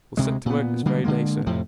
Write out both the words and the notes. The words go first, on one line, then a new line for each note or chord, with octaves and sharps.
"We'll set to work this very day, sir."
D2 C3 G#3
A#2 B3
D3 G3 G#3 A#3
D3 F#3 G#3 A#3
F2 A2 C3 F3